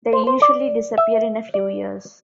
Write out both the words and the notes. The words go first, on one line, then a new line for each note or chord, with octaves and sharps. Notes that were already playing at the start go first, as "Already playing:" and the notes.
They usually disappear in a few years.
C5
C5
D5
E5
D5